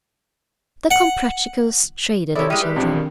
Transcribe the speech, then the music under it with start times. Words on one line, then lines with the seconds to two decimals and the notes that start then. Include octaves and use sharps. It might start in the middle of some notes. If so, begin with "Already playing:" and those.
The Comprachicos traded in children.
0.91 F#5
2.35 C3 E4 G#4 A4 C#5 D5 E5
2.50 G3 G#3 E4 G5 D#6
2.62 B4
2.76 B1 F3 C4 D4 G4
2.93 D#3